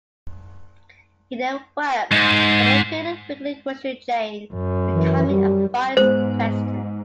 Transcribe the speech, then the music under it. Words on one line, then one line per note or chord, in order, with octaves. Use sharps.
He then worked for the Piggly Wiggly grocery chain, becoming a vice president.
G#2
F#2
E3
G3
G#2 G#3 B3 C5